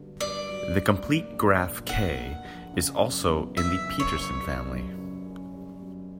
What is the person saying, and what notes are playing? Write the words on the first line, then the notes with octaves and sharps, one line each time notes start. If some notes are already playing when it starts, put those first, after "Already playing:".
The complete graph "K" is also in the Petersen family.
Already playing: G2 D3 F#3
G2 D5
F#3
G2
A#3
A#1
A#2
D4 F#5
A#3
A#1
C#3
F#1
E2
F#1 E5
C#3
C#5
F#1
G3
F#2
C#3
C#4
G3
F#2